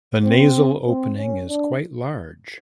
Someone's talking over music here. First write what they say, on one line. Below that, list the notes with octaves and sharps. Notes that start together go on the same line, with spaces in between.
The nasal opening is quite large.
C4
C4
C#4
D4